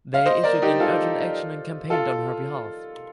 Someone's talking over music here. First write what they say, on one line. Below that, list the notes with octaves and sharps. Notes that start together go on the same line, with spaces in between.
They issued an Urgent Action and campaigned on her behalf.
F5
C5 D#5
A#4 D5
D#4 G4
F4 A4
F4 A4